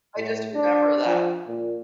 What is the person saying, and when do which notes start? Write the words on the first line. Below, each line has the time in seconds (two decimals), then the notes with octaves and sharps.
I just remember that.
0.18 A2
0.54 D4
1.06 F3
1.47 A#2